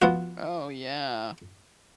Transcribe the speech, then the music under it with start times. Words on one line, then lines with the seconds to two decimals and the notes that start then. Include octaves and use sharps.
Oh yeah.
0.02 F3 B3 F#4